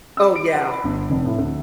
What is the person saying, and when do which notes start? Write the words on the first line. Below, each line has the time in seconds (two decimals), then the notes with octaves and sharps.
Oh yeah.
0.17 E6
0.36 D7
0.55 F#5
0.69 B5
0.84 G1
1.10 F1
1.25 A2
1.38 D2